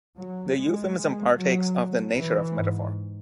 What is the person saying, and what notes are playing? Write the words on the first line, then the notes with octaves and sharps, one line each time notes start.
The euphemism partakes of the nature of metaphor.
F#3
G#3
G#3
F#3
E3
G#2